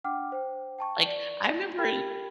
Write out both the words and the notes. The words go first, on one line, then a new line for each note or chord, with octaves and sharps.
like, I remember i
D4 F#5 G5 D6 F6
C5 G5
G5 A5 C#6
D5
G4 A#4 G5 B5